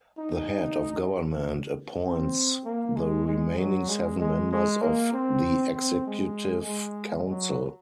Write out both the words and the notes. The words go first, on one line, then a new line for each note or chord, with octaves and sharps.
The Head of Government appoints the remaining seven members of the Executive Council.
D#4
C4
A#3
G#3
G#3
F#3
G#3
G#3
G#3
A#3
C4
C4
G#3
G#3
F#3